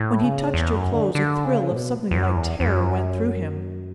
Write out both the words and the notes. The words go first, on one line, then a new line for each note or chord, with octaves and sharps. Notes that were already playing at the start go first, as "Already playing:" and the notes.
When he touched her clothes a thrill of something like terror went through him.
Already playing: A2
C#3
E2
F#2
D3
D3
C#3
A2
B2
E2
F#2
E2
E2
F#2